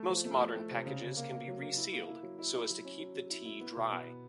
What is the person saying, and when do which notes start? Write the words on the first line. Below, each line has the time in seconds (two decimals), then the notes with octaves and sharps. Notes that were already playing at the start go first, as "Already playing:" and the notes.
Most modern packages can be resealed so as to keep the tea dry.
Already playing: A3
0.09 F3
0.25 A3
0.41 A3
0.56 A3
0.71 C3
0.86 C#3
1.02 C#3
1.17 A#3
1.32 A#3
1.48 F#3
1.62 A#3
1.77 E4
1.93 A#3
2.09 E4
2.23 F#3
2.39 E4
2.54 E4
2.70 F#3
2.85 C#4
3.00 F#3
3.15 F#3
3.30 E4
3.45 E4
3.61 B3
3.76 B2
3.92 B3